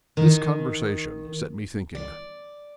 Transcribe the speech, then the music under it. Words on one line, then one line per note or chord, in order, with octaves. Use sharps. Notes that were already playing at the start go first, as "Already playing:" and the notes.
This conversation set me thinking.
D#3
D5